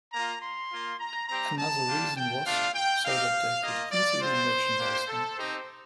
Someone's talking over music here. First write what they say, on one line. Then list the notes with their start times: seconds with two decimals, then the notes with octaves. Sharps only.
Another reason was so that they could easily merchandise them.
0.12 A#3 F4 A#5
0.42 C6
0.70 A#3 F4
1.00 A#5
1.29 G3 C4 G4 A#5
1.58 A5
1.87 G3 D4 F4
2.17 G5
2.45 A3 D4 F4 F5
2.74 G5
3.04 C4 D#4 G4 F5
3.62 A#3 F4 D#5
3.92 D5
4.20 C4 F4 C5
4.79 A#3 D4 G4
5.08 A4
5.37 C4 D#4 G4 C5